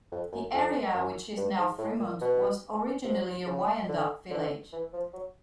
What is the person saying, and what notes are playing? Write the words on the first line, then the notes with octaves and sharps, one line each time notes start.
The area which is now Fremont was originally a Wyandot village.
F2
F#2
F2
F#2
G2
G#2
A2
A#2
B2
C3
C#3
D3
D3
E3
F3
F#3